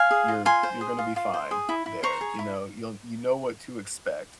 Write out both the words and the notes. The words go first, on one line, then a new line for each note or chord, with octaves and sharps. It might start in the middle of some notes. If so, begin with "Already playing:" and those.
you're you're gonna be fine there, you know, you'll you know what to expect.
Already playing: F5 G#5
G#4
F4
F4 G#5 C6
C5
G#4
F4
F4
C5
G#4
E4
E4
C5 A#5 C#6
G#4
E4